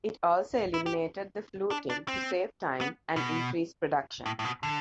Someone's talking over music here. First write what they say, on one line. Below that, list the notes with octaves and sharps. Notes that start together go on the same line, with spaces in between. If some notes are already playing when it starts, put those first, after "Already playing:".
It also eliminated the fluting to save time and increase production.
E4
G4
D4
D4
C4
B3
B2
A2
A2
B2
D3